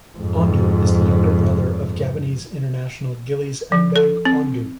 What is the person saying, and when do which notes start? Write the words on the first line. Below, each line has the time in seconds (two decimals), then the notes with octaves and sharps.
Ondo is the younger brother of Gabonese international Gilles Mbang Ondo.
0.18 F2 G#2
3.72 F3
3.96 A4
4.25 C4